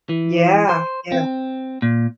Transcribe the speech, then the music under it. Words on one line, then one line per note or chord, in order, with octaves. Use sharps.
Yeah. Yeah.
E3
C5
C4
A#2